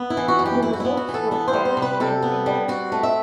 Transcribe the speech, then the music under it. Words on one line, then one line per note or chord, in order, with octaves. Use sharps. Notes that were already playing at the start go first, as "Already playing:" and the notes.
The results were published in Nature.
Already playing: B3
E4
E3
F#4
F#2
G4
E4
F#4
B3 E4
F#4
E3
A4
B3 A4
C5
G3
C5
C3
B4
C3 A4
B3
G3
C4 F#4
A3
E5